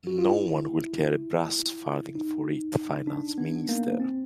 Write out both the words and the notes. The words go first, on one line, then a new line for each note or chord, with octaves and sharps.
No one will care a brass farthing for it Finance minister.
F#4
F4
E4
D#4
D4
B3
A#3
C4